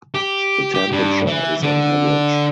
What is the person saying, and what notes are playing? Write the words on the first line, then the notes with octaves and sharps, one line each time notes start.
The temperature is on average.
G4
G4
G2
E3
D3